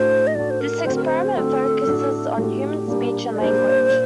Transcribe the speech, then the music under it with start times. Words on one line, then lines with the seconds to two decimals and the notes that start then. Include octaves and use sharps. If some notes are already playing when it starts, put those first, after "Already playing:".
This experiment focuses on human speech and language.
Already playing: A2 A3 D4 F#4 C5
0.27 D#5
0.35 A2 A3 D4 F#4 D5
0.50 C5
0.61 A#4
0.85 D3 A3 C4 F#4 C5
0.95 A#4
1.05 C5
1.36 D3 A3 C4 F#4 A4
1.87 A2 A3 D4 F#4
2.38 A2 A3 D4 F#4 G4
2.88 A#2 G3 A#3 D4
3.35 D5
3.39 A#2 G3 A#3 D4 C5
3.90 A#2